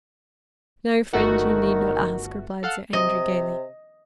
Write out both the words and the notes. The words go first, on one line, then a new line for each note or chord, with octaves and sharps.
"No, friend, you need not ask," replied Sir Andrew, gaily.
G1 D#3 A3 F#4
A4 F5 F#5
C3 D#5